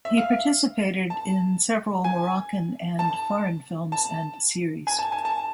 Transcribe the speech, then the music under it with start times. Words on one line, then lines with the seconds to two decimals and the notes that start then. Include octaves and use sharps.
He participated in several Moroccan and foreign films and series.
0.05 E5
0.17 F5
1.10 A5
2.04 G#5
2.99 A5
3.92 A5
4.87 G#5
4.99 A5
5.12 G#5
5.25 A5